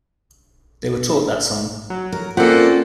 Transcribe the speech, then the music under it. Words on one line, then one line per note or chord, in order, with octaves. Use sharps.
They were taught that song.
F#3
A#4
A#3 C4 C#4 F4 A4 D5 F#5